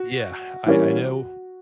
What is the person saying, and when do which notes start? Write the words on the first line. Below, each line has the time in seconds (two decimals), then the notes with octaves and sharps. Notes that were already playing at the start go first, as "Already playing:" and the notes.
Yeah, I I know
Already playing: F#4
0.66 E3 G3 A#3 C#4